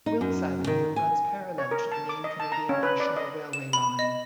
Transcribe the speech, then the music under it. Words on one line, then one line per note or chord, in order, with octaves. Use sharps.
Wilkes Avenue runs parallel to the main Canadian National Railway line.
D#4
F#2
D#3
G#5
C#5
A#4
A5
D6
D#5
A5
A#5
C#4
B4
D5
D#5
E7
B5
D#5